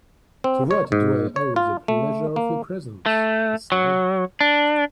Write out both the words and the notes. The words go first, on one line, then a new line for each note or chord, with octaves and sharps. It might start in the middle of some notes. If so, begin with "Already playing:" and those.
"To what do I owe the pleasure of your presence," he said.
C4
C#5
G#2
C#5
F4
A3
A#3
A3
F#3
D4